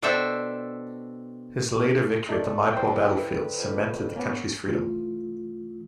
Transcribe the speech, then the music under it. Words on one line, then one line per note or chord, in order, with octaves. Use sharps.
His later victory at the Maipo battlefield cemented the country's freedom.
B2 D4 A4 C5 E5 G5
A3 D#4 D5
E3 G3 C5 G5
D3 A4 B4
F2
A#3 B3 C#4
C2 E3 A3 F4